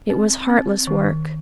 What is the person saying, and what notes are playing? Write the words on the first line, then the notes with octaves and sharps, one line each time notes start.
It was heartless work.
C4
C4
D#3